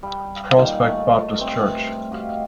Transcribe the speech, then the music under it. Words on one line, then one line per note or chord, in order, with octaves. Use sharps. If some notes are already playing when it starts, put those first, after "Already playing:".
Prospect Baptist Church.
G3
A#2 D#3
A3
G2 A3 C4
F#4 G4 D#5 F5